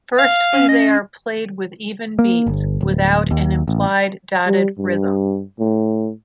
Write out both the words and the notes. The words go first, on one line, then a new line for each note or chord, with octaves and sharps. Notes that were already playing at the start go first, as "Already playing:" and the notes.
Firstly they are played with even beats, without an implied dotted rhythm.
F5
C#4
D#5
A#3
G1
D1
D#2
A1
G3
G2
A2